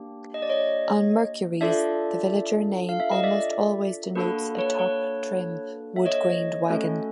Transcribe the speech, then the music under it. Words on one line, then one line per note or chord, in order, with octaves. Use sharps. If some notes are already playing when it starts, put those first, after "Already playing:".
On Mercuries, the Villager name almost always denotes a top trim, wood grained wagon.
Already playing: A#3 D4 G4
D#5
D5
C#5 D#5
D4 F4 A4 D5 E5
F5
E5
D#5
D5 E5
A#3 D4 F#4 A4 B4
B4 C#5
B4 C#5
E5
C#5 D#5
A3 C#4 F#4 A4